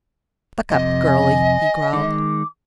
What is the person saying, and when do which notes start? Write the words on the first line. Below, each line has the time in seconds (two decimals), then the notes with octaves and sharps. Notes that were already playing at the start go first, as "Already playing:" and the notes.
"Buck up, girlie!" he growled.
0.70 F2 C3 D#5
1.07 G#5
1.93 D#3 G#3 D6